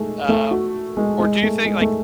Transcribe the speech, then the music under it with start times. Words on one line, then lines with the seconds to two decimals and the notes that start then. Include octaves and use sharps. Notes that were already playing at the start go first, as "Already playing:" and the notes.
Um, or do you think like,
Already playing: G#3 A3
0.29 A3
0.51 F#4
0.97 G#3
1.19 G#3
1.43 A3
1.65 G#3
1.81 A3